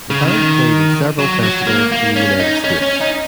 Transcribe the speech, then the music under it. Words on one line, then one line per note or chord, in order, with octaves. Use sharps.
The band played in several festivals in the United States.
C#3
D#3
F#3
F#3
A#3
A#3
C#4
D#4
C#4
C#4
D#4